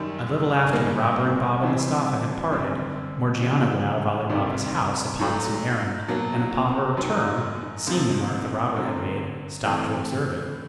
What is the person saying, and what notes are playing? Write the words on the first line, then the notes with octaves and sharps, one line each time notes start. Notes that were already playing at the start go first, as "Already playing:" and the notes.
A little after the robber and Baba Mustapha had parted, Morgiana went out of Ali Baba's house upon some errand, and upon her return, seeing the mark the robber had made, stopped to observe it.
Already playing: F#2 D#3 G3
B2 G3 A#3 D#4
C3 E3 G3 C4
F#2 D3 G3 C4
C#3 E3 G3
D2 C3 D#3 G3
A2 F#3 A3
B2 F#3 A#3
F#2 D#3 F#3
C#2 C3 F3
D3 F#3 A3 C4
A2 E3 A3 C4